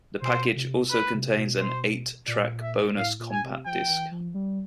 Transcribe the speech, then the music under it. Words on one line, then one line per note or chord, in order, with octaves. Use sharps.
The package also contains an eight track bonus compact disc.
B2 C5
C3
B4
C3
B2
C5
A#2 D5
E5
A2 F5
A#2
G#5
C3
F3 G5
E3
F3
G3